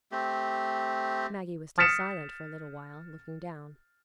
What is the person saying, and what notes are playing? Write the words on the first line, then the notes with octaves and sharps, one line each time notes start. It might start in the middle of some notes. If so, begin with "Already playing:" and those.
Maggie was still silent for a little while, looking down.
A3 C4 G4
D#6 F6 A6 B6 C#7 E7